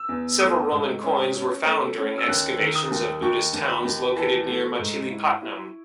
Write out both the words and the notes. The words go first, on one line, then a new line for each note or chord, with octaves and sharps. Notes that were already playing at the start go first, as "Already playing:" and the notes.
Several Roman coins were found during excavations of Buddhist towns located near Machilipatnam.
Already playing: E6
E2
A3 D#6
G#2
C#4
C#4
A3
C#4
E6
D#2 F#6
D#3
D#6
D#2
D#2 C#6
D#2
C#6
B5
D#2
E3 A5
A3
C#6
G#2
E4
E4